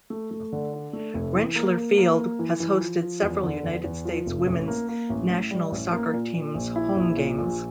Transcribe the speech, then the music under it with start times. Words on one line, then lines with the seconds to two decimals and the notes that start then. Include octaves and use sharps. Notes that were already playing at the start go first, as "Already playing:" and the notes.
Rentschler Field has hosted several United States women's national soccer team's home games.
0.10 A3
0.31 A3
0.53 D3
0.73 D4
0.93 A3
1.14 F1
1.35 E3
1.56 A#3
1.77 A#3
1.98 A#3
2.18 A#3
2.39 E3
2.60 E3
2.81 F3
3.02 F3
3.22 E2
3.43 D3
3.64 E2
3.84 E2
4.05 F3
4.26 F1
4.47 A1
4.68 A#3
4.88 A#3
5.10 A1
5.30 A2
5.51 G3
5.72 A1
5.93 A#3
6.13 A#2
6.34 A#2
6.55 A#1
6.76 E4
6.96 A#1
7.18 A#2
7.38 A#1